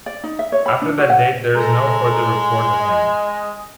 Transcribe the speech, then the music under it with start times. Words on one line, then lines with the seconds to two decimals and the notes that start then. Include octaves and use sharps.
After that date, there is no further report of him.
0.06 D5
0.24 D#4
0.39 E5
0.52 C#5
0.66 B5
0.82 D4
0.98 F#4
1.10 F#5
1.55 G#3 A4 A#5
2.80 D#5